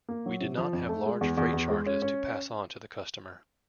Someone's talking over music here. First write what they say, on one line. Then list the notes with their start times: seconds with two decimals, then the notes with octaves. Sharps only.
We did not have large freight charges to pass on to the customer.
0.08 A#3
0.26 F#3
0.41 C3
0.58 F3
0.73 F2
0.89 A3
1.06 G#3
1.21 E2
1.37 E2
1.53 E2
1.70 G#3
1.86 C#4
2.02 C#4